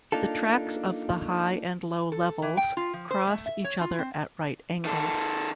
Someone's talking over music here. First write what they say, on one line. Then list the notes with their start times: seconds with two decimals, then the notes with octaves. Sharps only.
The tracks of the high and low levels cross each other at right angles.
0.12 A#3 D4 D#4 F4 A4
2.12 A4
2.42 E3
2.57 G5
2.77 F4
2.93 F3
3.11 C5
3.27 A3
3.46 E5
3.64 C#5
3.81 F4
3.99 C4
4.85 D#3 A4